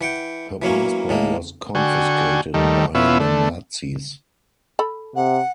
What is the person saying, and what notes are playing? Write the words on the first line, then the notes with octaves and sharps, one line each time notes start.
Her passport was confiscated by the Nazis.
E3 F#5 G5
E3 F#3 A#3 C#4
A2 G#3 A#3
D3 F#4 G5 G#5 C#6
D#2 D#3 G3 A3
B2 B3 C#4 E4 F4 E5
D3 A3
A4 B5
C3 F#5